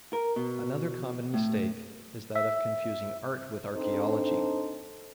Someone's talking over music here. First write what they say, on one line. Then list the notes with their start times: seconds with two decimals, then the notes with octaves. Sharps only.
Another common mistake is that of confusing art with archaeology.
0.13 A#4
0.36 B2
1.34 A2
2.35 E5
3.75 C4 D4 D#4 A4 C5